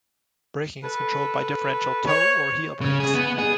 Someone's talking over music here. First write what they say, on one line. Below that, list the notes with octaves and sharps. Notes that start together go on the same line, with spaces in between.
Braking is controlled by differential toe or heel brakes.
A4 B4
C5 C#5
C#3
G#4
B3
G#4